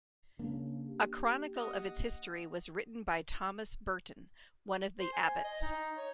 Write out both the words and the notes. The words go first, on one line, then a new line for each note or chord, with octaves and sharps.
A chronicle of its history was written by Thomas Burton, one of the abbots.
C#3 A#3 D4
G4
D#5 F#5 D#6
C5
G#5
D#5
D#4
C#5